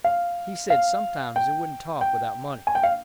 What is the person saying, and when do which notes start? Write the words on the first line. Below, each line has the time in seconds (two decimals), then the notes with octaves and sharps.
He said sometimes it wouldn't talk without money.
0.04 F5
0.70 F5
1.36 G5
2.01 G5
2.67 G#5
2.75 G5
2.83 F5